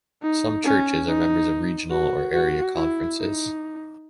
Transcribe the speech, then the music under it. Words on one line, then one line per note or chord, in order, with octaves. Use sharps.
Some churches are members of regional or area conferences.
D#4
C#4
D#4
F#4
F#4
E4
D#4